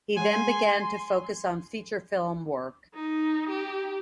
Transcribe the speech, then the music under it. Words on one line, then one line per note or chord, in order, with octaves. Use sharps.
He then began to focus on feature film work.
G#3 G#4 C#5 G#5 C6
D#4
G4